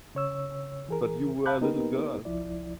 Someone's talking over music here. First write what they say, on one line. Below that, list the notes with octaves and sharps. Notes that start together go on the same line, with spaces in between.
But you were a little girl.
C#3 C#5 E6
E3 G#4 A#4
F5 A5 B5 F#6 G6
A#3 B3 D#4 G4 A#4 B4
C2 F3 E4 D5